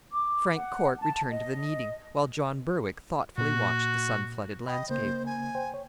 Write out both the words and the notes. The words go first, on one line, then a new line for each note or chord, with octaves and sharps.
Frank Corte returned to the kneading, while John Berwick thoughtfully watched the sun-flooded landscape.
D6
F#5
A5
D#5
A#2 A#3 F#4
D#5 G5 B5
C#3 A#3 C5
G#5
C5 G5
C#5